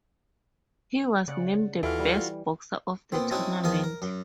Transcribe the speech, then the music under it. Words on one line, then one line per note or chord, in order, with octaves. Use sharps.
He was named the best boxer of the tournament.
C#3 D5 F#5
D#2 E3 F4 F#4 A4 F6
G3
A#2 B3 C4
A3 C4 C#4 D#4 E4 F#4
E2 D#3 F3 F5 D#6
A#4
F#2